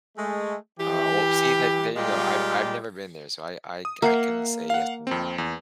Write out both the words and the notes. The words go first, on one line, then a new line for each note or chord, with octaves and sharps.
Oh, well, see that there you go, I've I've never been there, so I I c I couldn't say yes or no.
G#3 A3
E3 G4
A#2 G3 G#3 F4 G4
D#6
A#3 E5 F#5 C7
F5 F#5
F2 C4
E2